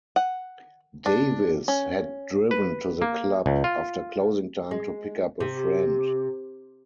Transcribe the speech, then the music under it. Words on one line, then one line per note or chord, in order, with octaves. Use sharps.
Davis had driven to the club after closing time to pick up a friend.
F#5
D4
C#4
B4
A#3
C#2
F4
G#3
C3